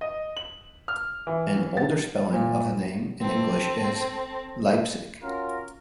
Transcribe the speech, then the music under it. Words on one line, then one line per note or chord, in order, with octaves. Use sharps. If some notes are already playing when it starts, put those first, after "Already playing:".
An older spelling of the name in English is Leipsic.
D#5
F#7
F6
E3
A6
A#2
C4 A4
C#4 F4 F#4 A#4